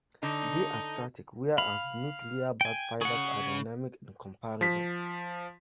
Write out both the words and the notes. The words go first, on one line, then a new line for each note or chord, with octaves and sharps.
They are static, whereas the nuclear bag fibers are dynamic in comparison.
D3 D#4
F5 B5
G5 G#5
C#3 G#4 F#5
F3 B6